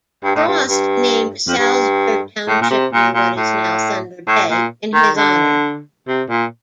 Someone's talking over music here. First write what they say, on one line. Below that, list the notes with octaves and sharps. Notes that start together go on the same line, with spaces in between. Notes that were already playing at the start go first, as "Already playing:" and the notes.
Frost named Salsberg Township near what is now Thunder Bay in his honour.
G2
A2
G2
G2
F2
G2
A2
A#2
C3
A#2
A#2
A2
A2
A#2
D#3
D3
C3
A#2